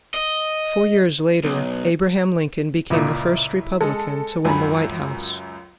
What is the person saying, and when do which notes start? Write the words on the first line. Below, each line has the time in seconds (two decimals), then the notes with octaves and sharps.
Four years later, Abraham Lincoln became the first Republican to win the White House.
0.14 D#5
1.44 B1
2.90 C#2 A#2 E4
3.81 G#3 A4
4.45 C#2 F#2 G#5 B5